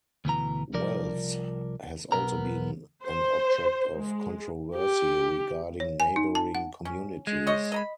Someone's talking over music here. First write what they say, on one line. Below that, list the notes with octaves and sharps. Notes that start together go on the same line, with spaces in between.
Wells has also been an object of controversy regarding neighbouring communities.
D2 B2 E3 A#5
C2 F3 A#4 D5
B1 B3 A#4 A#5
C5
G#3
G4
C#5
G#5
D#4
A5
F#5
C#4
G#3
C5 C#5 D#5
D#5 A#5 B5